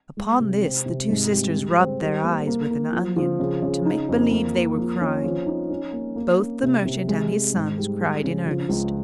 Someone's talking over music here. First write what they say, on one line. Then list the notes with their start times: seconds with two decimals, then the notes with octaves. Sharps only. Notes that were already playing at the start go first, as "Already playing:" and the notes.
Upon this, the two sisters rubbed their eyes with an onion, to make believe they were crying; both the merchant and his sons cried in earnest.
0.17 G#3
0.40 C3
0.63 C4
0.86 C3
1.09 G#2
1.31 G3
1.54 G#3
1.78 C4
2.01 G3
2.24 A#3
2.47 A#3
2.70 A#3
2.93 F3
3.16 F3
3.40 C#3
3.62 C#3
3.86 D#4
4.09 F2
4.31 A#3
4.55 A#3
4.77 F3
5.01 C#4
5.24 F3
5.46 D#4
5.70 C#4
5.93 A#3
6.16 A#3
6.39 C#4
6.63 C3
6.85 C3
7.08 G#3
7.31 G#3
7.54 G#2
7.78 G3
8.00 G#3
8.24 C#3
8.47 F3
8.69 C#2